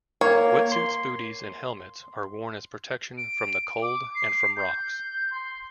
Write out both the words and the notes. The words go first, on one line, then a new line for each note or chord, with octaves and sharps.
Wetsuits, booties and helmets are worn as protection from the cold and from rocks.
A#3 C#5
C6
D7
D6
C7
G6
C6